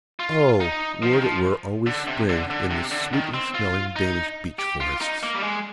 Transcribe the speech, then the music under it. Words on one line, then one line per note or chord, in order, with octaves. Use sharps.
"Oh, would it were always spring in the sweetly-smelling Danish beech-forests!"
F4
D#4
F3
D#3
F3
D3
C3
D3
D3
C3
D3
D#3
C4
F4
D#4
G4
F4
D#4
A#3
G3
G#3